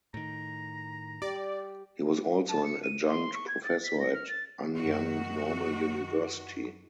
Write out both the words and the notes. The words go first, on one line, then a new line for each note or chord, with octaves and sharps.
He was also an adjunct professor at Anyang Normal University.
A2 D#3 A#5
G4 D5
A5
C#7
D#7
C6
C#6
G#6
A6
B6
A#6
F6
A6
F#2 D#3 F#4